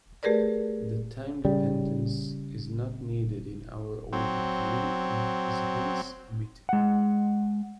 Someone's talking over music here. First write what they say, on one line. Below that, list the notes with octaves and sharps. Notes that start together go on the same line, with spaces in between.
The time dependence is not needed in our overview and is hence omitted.
A3 G4 G#4 A#4 B4 D5
C#3 G3
F#3 C4
G#3 F#5